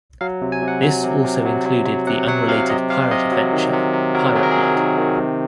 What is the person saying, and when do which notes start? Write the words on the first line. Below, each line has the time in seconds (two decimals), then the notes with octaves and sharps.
This also included the unrelated pirate adventure Pirate Blood.
0.21 F#3 F5
0.42 C3
0.52 G#5
0.62 C3
0.68 F#5
0.83 F#3
1.04 C3
1.24 C3
1.46 F#3
1.66 F#3
1.86 F#3
2.07 C3 F#5
2.28 F#3 F#5
2.49 C3 F5
2.69 C3 D#5
2.90 C3 F5
3.11 C3 D#5
3.31 F#3
3.53 D#3
3.73 C3
3.94 C3
4.14 F#3 A#4
4.36 F#3 G#4
4.43 A#4
4.51 F#3 G#4
4.76 D#3
4.98 D#3
5.18 C3